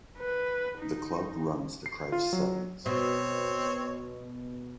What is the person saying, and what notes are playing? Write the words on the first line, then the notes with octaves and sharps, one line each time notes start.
The club runs the Crieff Sevens.
B4
D#4
C7
F4
F#3
B2 C4 C#5